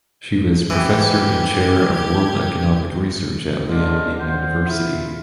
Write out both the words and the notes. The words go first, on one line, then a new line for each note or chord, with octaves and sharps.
She was professor and Chair of World Economic Research at Liaoning University.
E3 G4 G#6
D3 C#4 D4 F4 D#5
D2 A#2 F4 C5 F#5
E4 F4